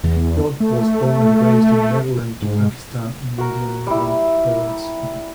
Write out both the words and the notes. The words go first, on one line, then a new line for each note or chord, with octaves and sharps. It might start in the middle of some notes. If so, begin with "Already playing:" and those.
Yodh was born and raised in Maryland to Pakistan and Indian immigrant parents.
E2
A3
G#2
F#4 A#4
G3 E4